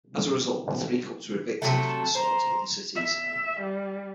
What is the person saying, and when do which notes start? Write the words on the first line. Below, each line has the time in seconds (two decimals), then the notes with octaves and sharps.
As a result, the three clubs were evicted from Seoul to other cities.
1.62 C3 F#3 A3 A5
2.15 C5 A#5
2.96 E5
3.61 G3